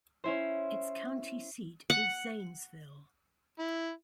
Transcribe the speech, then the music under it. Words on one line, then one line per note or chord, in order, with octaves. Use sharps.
Its county seat is Zanesville.
C#4 E4 C5
F#5
E4